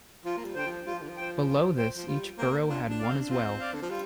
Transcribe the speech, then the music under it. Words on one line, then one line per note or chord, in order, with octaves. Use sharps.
Below this each borough had one as well.
F3 F4
A#3
G3
D3 C5 G5
F3
G3 F4
F3
D3
F3
C5 G5
F4
C5 G5
F3
G3 F4
A#3 C5 G5
D4 F4
D4
D5 F5
C4
D4
C4 F4
D5 F5
D3
F3
G3 F4